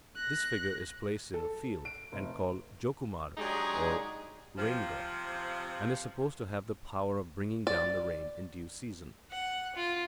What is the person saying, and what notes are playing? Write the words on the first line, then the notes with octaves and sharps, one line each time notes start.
This figure is placed in a field, and called Jokumara or rain-god, and is supposed to have the power of bringing down the rain in due season.
F#6 A#6
A4
D7
F1
F#3 G#3 D4 D#4 G4 G#4
C3 F3
D5
F#5
F4